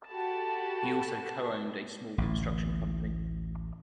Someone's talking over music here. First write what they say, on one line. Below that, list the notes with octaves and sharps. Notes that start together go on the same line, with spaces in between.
He also co-owned a small construction company.
F#4 G4 A4 A5 B5
A1 D2 A2